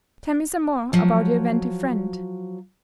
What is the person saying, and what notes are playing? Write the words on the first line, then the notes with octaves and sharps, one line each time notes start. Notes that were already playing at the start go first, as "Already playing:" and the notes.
Tell me some more about your inventive friend.
F3 F#3